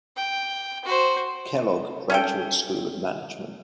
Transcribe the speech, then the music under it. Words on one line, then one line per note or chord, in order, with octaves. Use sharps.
Kellogg Graduate School of Management.
G5
F#4 C5
C#4 A4 G5